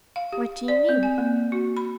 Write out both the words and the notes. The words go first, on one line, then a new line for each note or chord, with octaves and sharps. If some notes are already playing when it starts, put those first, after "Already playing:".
What do you mean?
F5
G4
D5
C4
G#5
A#3
F#4
B5